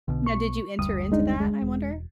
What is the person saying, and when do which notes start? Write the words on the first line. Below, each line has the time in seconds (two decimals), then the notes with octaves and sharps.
Now did you enter into that, I wonder?
0.08 B1 B2 D3
0.26 C#6
0.79 F#1 D2 G3 D#6
1.12 G#3 D4 D#4
1.40 G#3
1.62 E1